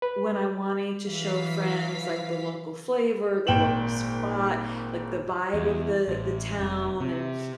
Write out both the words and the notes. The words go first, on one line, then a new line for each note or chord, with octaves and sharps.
when I'm wanting to show friends like the local flavor, the local spot, like the vibe of the the town and,
B4
E3 F#3 F5 B6
G#1 A#2 G5 E7 F#7
E2
A1
F1
C3